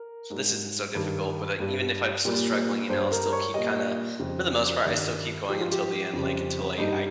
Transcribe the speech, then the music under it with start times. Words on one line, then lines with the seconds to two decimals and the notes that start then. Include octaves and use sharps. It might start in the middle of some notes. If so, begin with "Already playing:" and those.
well, this isn't so difficult," but I even if I'm still struggling, you know, I'll still keep kinda for the most part, I still keep going until the end, like, until I I
Already playing: A#4
0.30 G#2 G3
0.95 G2 D#3 G3
1.60 G2 G3
2.25 A#2 G3
2.89 G2 G3 C5
3.11 A#4
3.33 C#5
3.54 A#2 G3 D#5
4.19 F2 C#3 G3
4.84 G2 D#3 G3
5.49 G#2 F3 G4
5.61 F4
5.72 G4
6.13 F2 C#3 G3
6.78 G2 G3 D#4